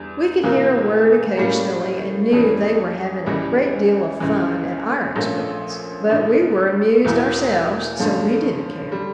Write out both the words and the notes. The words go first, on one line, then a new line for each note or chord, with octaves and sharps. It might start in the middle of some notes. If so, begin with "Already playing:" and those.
We could hear a word occasionally and knew they were having a great deal of fun at our expense; but we were amused ourselves, so we didn't care.
Already playing: E2 D3 G3
E1 E2 E3 A#3
A2 G3 A#3 C#4
F2 E3 G3 C#4
C#2 C#3 E3 G3
C#2 C#3 E3
A#1 A#2 F3 A3 C#4
A1 G2 D3
E1 E2 E3 A#3 E4
G2 D3 F3 A3 C#4
D3 G3